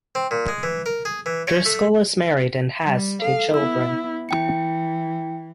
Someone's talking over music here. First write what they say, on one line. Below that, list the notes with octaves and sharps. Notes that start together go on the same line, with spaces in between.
Driscoll is married and has two children.
C4
A#2
G#3
E3
A#4
G#4
E3
C#5
A3
G3
A4 F5
B3 E4 E6
E3 E4 G5 C#7